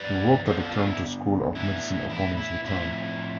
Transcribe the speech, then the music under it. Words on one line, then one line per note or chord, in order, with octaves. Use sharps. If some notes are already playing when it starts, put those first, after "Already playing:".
He worked at the Toronto School of Medicine upon his return.
Already playing: G2 E3 B3 D4 B4 D5
D3 G3 B3 D4 A4 C5
F4 A4
D4 F4
E4
A2 E3 B3 D4 E4
E4
E4
A2 F3 C4 E4